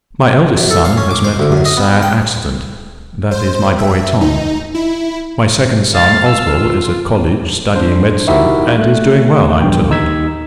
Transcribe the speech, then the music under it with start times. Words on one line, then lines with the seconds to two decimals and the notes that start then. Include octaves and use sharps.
My eldest son has met with a sad accident--that is, my boy Tom; my second son, Oswell, is at college studying medicine, and is doing well I am told.
0.57 F#2
0.71 A4
0.85 F5
0.97 C#4
1.11 D6
1.24 C5
1.39 D2
1.52 F#2
1.65 D#5
1.77 B3
2.02 G5
3.31 C5
3.78 E5
4.21 D#4
4.74 E4
5.94 F5 A6
6.24 F5 E6
6.57 F4
7.75 D4 C5
8.27 D#4 E4 F#4 G4 A#4 E5
8.79 A3 F#6
9.61 A#1 E2 G2 G5
9.90 D#2 D#4 E6 G#6 B6